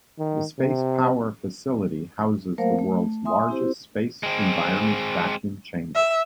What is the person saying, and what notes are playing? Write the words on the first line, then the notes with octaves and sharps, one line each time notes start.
The Space Power Facility houses the world's largest space environment vacuum chamber.
D#3
C3
F#3 A3 A#3 A#4 C5 F5
A3
E5 G#5 C6 D#6
C4 E4 G4 C5
G#3 C4
E5